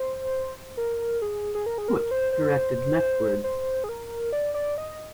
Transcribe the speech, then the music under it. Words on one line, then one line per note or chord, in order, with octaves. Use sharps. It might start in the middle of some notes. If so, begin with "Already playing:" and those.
Foot directed leftwards.
Already playing: C5
A#4
G#4
G#4
A#4
G#4
A#4
C5
C5
C5
G#4
A#4
D5
D5
D#5